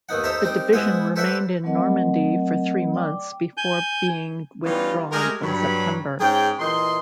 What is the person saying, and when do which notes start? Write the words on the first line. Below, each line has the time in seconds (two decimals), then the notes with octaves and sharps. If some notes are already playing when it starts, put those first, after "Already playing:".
The division remained in Normandy for three months before being withdrawn in September.
0.09 D#2 D#3 B3 D#4 F#5
0.24 D#4 A4 C5 E5 A5 A#5
0.41 G3 C4 D#4 A#4
0.73 G#3 B3 E4 C5 F#5
1.16 A4 B4 C5 D5 E5 F#5
1.64 F#3 A3 C4 A#4 D#5 F#5
2.94 D5 G5 D6
3.57 G#5 G6
4.64 E3 G3 B3 C#4 D#4 F4
5.11 G#3 A3 G4 G#4 A#4
5.42 G2 F#3 B5
6.20 G#2 C#4 G#4 G5
6.60 A#2 E3 D#5 C6